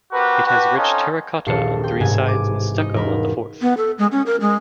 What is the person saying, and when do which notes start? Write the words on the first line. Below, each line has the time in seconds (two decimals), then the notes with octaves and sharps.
It has rich terracotta on three sides and stucco on the fourth.
0.12 C4 F#4 G4 A#4 B4
0.45 D4 F#4 G4 B4
0.76 C4 C#4 D#4 F4 A4
1.46 D#1 A#1 A4 C7 C#7
1.84 G5 C6
2.00 A1 G#2 C3 G#3 G#5
2.26 D6 D#7
2.77 D#4 D#5
2.94 E1 A#4 B5
3.62 B3
3.77 A4
3.98 G#3
4.12 C#4
4.26 A#4
4.41 G#3